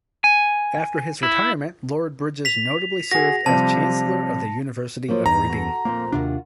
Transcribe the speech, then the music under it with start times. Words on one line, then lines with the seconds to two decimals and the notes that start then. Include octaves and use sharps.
After his retirement Lord Bridges notably served as Chancellor of the University of Reading.
0.24 G#5
1.23 E4
2.45 B6 F7
3.11 F#4 G#4 A#6
3.46 C3 F3 G3 A5
5.08 F3 F#3 A#3
5.26 E2 D#4 A#5
5.49 F#4 A4
5.85 F2 A#2 A#3 C5
6.12 D#2 C3 D4 F4 F#4 A#4